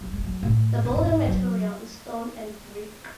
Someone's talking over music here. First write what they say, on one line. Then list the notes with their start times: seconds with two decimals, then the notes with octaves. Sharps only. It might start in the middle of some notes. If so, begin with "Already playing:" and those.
The building material is stone and brick.
0.01 F#3
0.13 G#3
0.24 F#3
0.43 A2
0.85 G#2
0.96 F#2
1.06 G#2
1.27 F#3